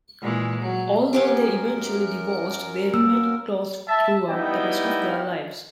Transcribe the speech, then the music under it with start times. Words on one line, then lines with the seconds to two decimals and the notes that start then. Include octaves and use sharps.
Although they eventually divorced, they remained close throughout the rest of their lives.
0.22 A#2 E3 G#3
0.62 F#3
1.13 F#2 F#3 B3 G4 G#4 A#4
2.94 A#3 E6
3.88 E5 A5
4.29 G3 B3 D#4 E4 D#5 G5